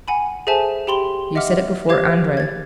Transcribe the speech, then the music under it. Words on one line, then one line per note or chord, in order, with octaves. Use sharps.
You said it before Andrey.
F#5 G#5 B5
G#4 A4 C5 E5 G#5 A5
G4 G5 B5 C6 F7 G7
D#5 E5 F#5 D6 F6
G4 C5 F5 D6 G#6
G#6 A6